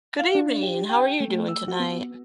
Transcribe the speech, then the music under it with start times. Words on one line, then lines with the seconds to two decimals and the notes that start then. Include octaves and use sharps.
Good evening, how are you doing tonight?
0.19 F5
0.35 D4
0.63 G4
0.89 G5
1.20 A3
1.48 E6
1.68 F#4
1.80 B3